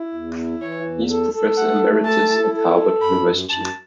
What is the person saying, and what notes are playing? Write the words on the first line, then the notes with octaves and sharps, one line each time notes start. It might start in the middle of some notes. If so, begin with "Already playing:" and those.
He is professor emeritus at Harvard University.
Already playing: E4
E2
E4
E3 C#5
E2
A4
A4
A3 F#5
A3
A4 A5
E4
A4
A4
F#2 B5
F#2
F#2 A5